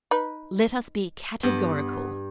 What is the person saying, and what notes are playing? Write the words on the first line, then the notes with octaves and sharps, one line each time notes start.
Let us be categorical.
D#4 B4
G2 B3